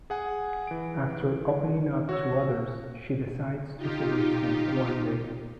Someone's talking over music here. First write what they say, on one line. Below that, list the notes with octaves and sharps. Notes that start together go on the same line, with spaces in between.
After opening up to others she decides to seduce him one day.
G#4 F#5 G#5
E3 D7
F#4 C#5 E6
D#4 F4 G4